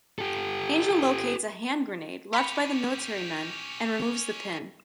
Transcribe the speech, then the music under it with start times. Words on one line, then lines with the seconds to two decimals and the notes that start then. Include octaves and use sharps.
Angel locates a hand grenade left by the military men and removes the pin.
0.19 G4 A4
2.34 C#4 G4 B5 C#7